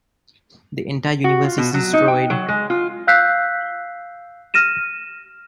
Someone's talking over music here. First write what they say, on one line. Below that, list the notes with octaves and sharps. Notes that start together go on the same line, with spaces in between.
The entire universe is destroyed.
F#4
F4
B2
F#3
D#4
G5
F#3
G#3
F4
F5 E6 F#6 G6 B6 C7
F6 A#6 D#7 E7